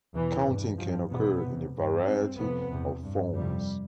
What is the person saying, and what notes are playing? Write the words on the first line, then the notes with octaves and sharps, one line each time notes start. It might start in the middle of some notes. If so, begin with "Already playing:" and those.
Counting can occur in a variety of forms.
E2 B2 E3
G2
G2 F3
E2 B2 B3
F2 C3
G2
G2 C4
F2 C3 B3
E2 C3
G2
F2 C3 G3